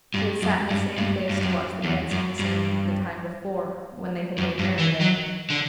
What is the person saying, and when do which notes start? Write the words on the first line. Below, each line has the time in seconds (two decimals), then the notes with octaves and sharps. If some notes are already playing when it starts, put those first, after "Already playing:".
She had sat in the same place to watch the dancing and singing "the time before," when they had made merry there.
0.14 G2
0.42 F#2
0.70 G2
0.98 G2
1.29 G2
1.41 F#2
1.84 E2
2.11 F#2
2.39 G2
4.38 F#2
4.59 G2
4.79 E3
5.01 F#3
5.50 D3